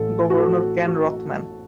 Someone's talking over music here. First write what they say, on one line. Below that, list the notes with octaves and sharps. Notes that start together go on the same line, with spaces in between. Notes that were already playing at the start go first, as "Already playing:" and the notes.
Governor Ken Rothman.
Already playing: A1 A2 A3 A4
F#4
A4
F#4
F#4